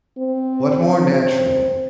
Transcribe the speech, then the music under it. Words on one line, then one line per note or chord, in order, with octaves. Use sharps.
What more natural!
C4
C4